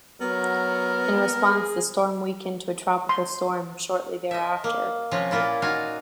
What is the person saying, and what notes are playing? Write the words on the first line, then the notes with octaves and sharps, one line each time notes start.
In response, the storm weakened to a tropical storm shortly thereafter.
F#3 B3 A#4
G#4
C6
D#5 E5
A#3
C3 F3 C#4
A#2 A#3 E4 F4
D#4 F4 F#4 F5 G#5